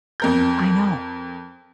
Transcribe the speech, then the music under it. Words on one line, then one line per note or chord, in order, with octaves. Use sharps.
I know.
F2 A#4 G6